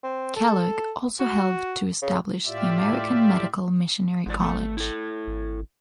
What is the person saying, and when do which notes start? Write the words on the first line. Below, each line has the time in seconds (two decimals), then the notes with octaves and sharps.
Kellogg also helped to establish the American Medical Missionary College.
0.03 C4
0.36 A4
1.20 F#4
2.02 C#3
2.46 A2 F4 G4 D5 E5
4.26 G#1 G#2 F3 D5
4.40 A3 A4
4.77 E4 A4
5.27 G#1